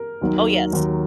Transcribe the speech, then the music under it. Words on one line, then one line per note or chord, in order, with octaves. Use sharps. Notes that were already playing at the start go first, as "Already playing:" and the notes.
Oh, yes.
Already playing: A#4
D#2 D#3 F#3
D#2 D#3 F#3